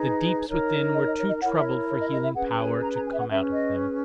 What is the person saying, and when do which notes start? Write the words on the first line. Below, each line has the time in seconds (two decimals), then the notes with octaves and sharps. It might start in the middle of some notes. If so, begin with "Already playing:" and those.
The deeps within were too troubled for healing power to come out of them.
Already playing: D#4 G#4 B4
0.48 D#4 A#4 C#5
0.94 D#5
1.06 D#5
1.18 C#5
1.29 D#5
1.41 E4 A#4 C#5 F#5
1.58 E5
1.88 C#5
2.00 D#5
2.11 D#5
2.23 E5
2.35 C#4 G#4 B4 F#5
2.59 G#5
2.82 A#5
2.94 A#5
3.06 G#5
3.12 E5
3.18 F#5
3.28 C#4 G#4 B4 E5
3.52 D#5